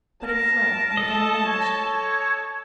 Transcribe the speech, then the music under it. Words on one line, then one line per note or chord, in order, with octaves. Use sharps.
But it fled, and again vanished.
A#4 A5
A4 D#5
C#5